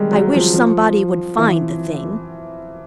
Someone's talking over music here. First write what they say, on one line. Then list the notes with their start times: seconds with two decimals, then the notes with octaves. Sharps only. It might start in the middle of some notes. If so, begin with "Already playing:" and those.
I wish somebody would find the thing.
Already playing: D#3 G3 G#3
0.11 F#3
0.33 F3
0.54 F3
1.39 E3